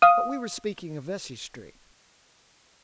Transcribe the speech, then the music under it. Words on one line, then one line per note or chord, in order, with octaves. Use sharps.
But we were speaking of Vesey Street.
F5 D#6